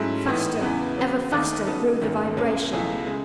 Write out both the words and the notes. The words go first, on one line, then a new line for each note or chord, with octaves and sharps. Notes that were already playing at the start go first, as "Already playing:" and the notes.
Faster, ever faster grew the vibration.
Already playing: G#2 F#3 A3 C#4 E4
A2 E3 B3 D#4
E2 C#3 E3 B3
C#3 F#3 B3
D#2 D#3 A3 D#4
C#3 F#3 B3 D#4 A4
G#1 F#2 D#3 A3
E2 B2 G#3 C#4
C#2 B2 A3 E4 G#4
C#3 G#3